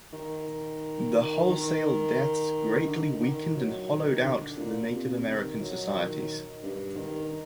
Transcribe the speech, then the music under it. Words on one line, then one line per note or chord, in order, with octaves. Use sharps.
The wholesale deaths greatly weakened and hollowed out the Native American societies.
D#3
D#3
D3
D#3
F#3
D#3
D3
A#2
C3
D#3
F#3
D#3
G2
D#3